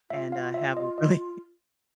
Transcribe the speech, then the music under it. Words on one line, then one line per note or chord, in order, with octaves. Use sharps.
and, uh, have a really
F4 E5
F5
E5
D#5
D#5